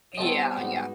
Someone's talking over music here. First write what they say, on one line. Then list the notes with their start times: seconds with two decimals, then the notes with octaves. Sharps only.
Yeah, yeah.
0.17 G3 B3 C4 E4 G4 C#5 D#5 A5
0.57 G#2 D#4 F#4